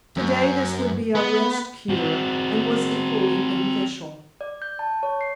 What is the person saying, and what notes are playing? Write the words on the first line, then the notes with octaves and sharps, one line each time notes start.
Today this would be a rest cure and was equally beneficial.
F#2
B3
C4 F#4
D5
G6
A5
C#5
C7